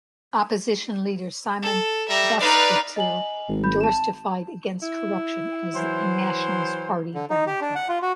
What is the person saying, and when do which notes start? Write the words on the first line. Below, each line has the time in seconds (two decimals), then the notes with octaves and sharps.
Opposition Leader Simon Busuttil endorsed a fight against corruption as a Nationalist Party battlecry.
1.63 A4
2.09 G3 E5 A#5
2.40 D#4 B4 D5 F5
2.96 D#5 G#5 F#7
3.49 G#1
3.64 B5 G6
3.81 A5 E7
4.83 E4
5.75 E3 F#3 C5
7.14 D3
7.30 D#4
7.47 G4
7.61 D4
7.76 F#5
7.89 F4
8.02 F#4